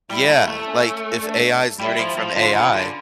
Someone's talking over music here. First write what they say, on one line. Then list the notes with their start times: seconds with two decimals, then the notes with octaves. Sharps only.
Yeah. Like, if AI is learning from AI
0.10 G3 E4
0.29 A3
0.48 A3
0.67 C#4
1.23 D4
1.79 G3 E4
1.99 F3
2.18 F3
2.36 D3 F4
2.54 C#3
2.74 D3